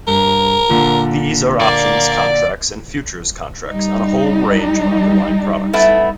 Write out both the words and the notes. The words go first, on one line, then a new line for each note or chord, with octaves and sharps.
These are options contracts and futures contracts on a whole range of underlying products.
G2 A#4
A#2 D3
A#3 D5
G3 D#4
A3 B3 E4